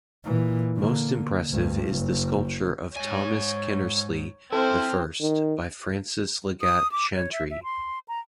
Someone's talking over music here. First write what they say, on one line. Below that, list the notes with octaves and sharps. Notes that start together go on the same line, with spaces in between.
Most impressive is the sculpture of Thomas Kinnersley I, by Francis Leggatt Chantrey.
A#2 E3
D3 A#3
D2 G2
F#1
G#2 C#5 G#5
C4 E4 A4 C5 F6
D#3
D#6
D6
C#5
E5
E5
C6
A#5